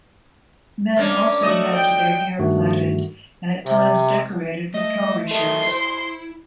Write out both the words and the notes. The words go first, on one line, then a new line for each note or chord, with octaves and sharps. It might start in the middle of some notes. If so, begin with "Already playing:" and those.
Men also had their hair plaited and at times decorated with cowrie shells.
A#3 C#4 D4
A3 F#4 D#5
G5
G2 D#3 A3 F#4
C3
A3 D#5
F#3 A3 A#4 D#5 C6
E4 C5